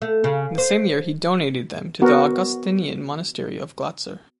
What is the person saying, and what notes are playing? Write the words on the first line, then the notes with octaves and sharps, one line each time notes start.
In the same year he donated them to the Augustinian monastery of Glatzer.
A3
C#3
C5
B3 F#4 A#4